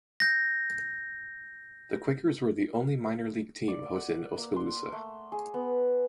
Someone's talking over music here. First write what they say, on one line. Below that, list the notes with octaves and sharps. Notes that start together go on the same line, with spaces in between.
The Quakers were the only minor league team hosted in Oskaloosa.
G6 A#6
D5
F#5
A#3
C6
A3
G#4
B3